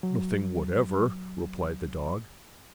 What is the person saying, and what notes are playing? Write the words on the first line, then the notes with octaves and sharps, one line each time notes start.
"Nothing whatever," replied the dog.
F#3